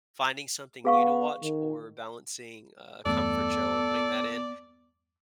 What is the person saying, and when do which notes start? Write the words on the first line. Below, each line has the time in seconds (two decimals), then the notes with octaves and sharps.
finding something new to watch, or balancing a comfort show, or putting that in,
0.85 B3 G#4 F5 C#6
1.43 D#3
3.06 E2 G2 A3 B3 A4 D5